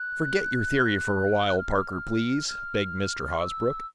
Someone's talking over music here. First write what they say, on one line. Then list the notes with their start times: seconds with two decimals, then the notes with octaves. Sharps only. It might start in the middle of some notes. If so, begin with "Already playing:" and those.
"Forget your theory for a while, Parker, please," begged Mr. Hosbrook.
Already playing: F#6
1.47 F#6
1.58 F6
2.49 F6
3.39 E6